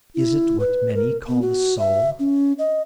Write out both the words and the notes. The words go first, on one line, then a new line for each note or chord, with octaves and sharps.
Is it what many call the soul?
E4
B4
A#4
B3
F#4
E5
C#4
D#5